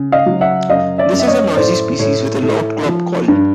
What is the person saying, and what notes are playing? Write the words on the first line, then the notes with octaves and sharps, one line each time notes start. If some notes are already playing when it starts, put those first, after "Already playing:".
This is a noisy species with a loud "clowp" call.
Already playing: C#3
D#5 F5
F#3
E5 F#5
F#2 D#5 F5
D5 E5
F#2
E5
C#5 D#5
A2 C5 D5
A2 C#5
A2
F3
G2